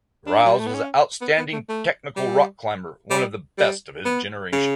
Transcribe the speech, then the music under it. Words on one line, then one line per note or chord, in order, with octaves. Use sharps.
Rouse was an outstanding technical rock climber, one of the best of his generation.
D4
F#3
G3
A3
B3
C#4
B3
B3
A3
A3
G3
G3
G3
B3
C#3